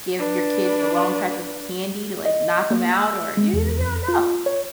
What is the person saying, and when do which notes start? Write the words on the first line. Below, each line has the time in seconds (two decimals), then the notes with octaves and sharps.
give your kid the wrong type of candy to, like, knock 'em out or you you don't know.
0.19 D4 B4
2.26 D#5
2.70 A#3
2.93 E6
3.37 G#3
3.54 E2
3.79 F2
4.08 F4
4.46 C#5